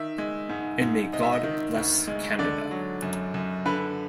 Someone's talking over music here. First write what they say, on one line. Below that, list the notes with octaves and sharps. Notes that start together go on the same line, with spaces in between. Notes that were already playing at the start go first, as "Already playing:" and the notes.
And may God bless Canada.
Already playing: D#3 E5
G#3
G#2
G#2
C3 D#5
E5
D#5
D#3
D2
G#3
D3 D5
F#3
F#2
F#2
D3 B4